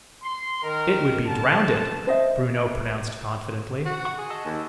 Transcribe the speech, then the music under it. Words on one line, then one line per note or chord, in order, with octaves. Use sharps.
"It would be drownded," Bruno pronounced confidently.
C6
D#3 A#4
D3 A5
C5 D#5 E5
F#4
F#5 C#6
G#4
D#5 A5 E6
D#2